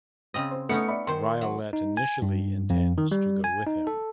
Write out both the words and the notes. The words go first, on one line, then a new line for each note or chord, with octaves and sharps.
Violette initially intends to go with him.
C#3 C4 D#5
C5
A3 B3 C#4 D#4 C#7
D5 E5 B5
D#3 C5 C6
F#3
D#4
G#5
G2
F2
D#3
G3
G#5
D#4
A4